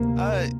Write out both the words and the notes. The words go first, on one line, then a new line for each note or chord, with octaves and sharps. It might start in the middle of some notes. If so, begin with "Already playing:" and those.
uh, it
Already playing: D2 C3 A#3